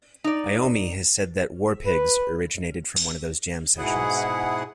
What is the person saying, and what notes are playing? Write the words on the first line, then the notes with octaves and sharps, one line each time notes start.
Iommi has said that "War Pigs" originated from one of those jam sessions.
D#4 D5
B4
G#2 B2 E4 G#4 F#5